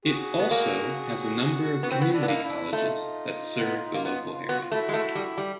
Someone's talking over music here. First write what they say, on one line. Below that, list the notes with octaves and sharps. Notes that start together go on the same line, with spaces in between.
It also has a number of community colleges that serve the local area.
F#4 G#4
B3
A#3
B3 E4 F#4
C4
B3
D4 E4
B3
A#3
D#4
D4 E4
A3 D#4 F4
B3
A#3
B3
B3 F#4
F4
A3 E4 F#4
G#3
A3
G3
G3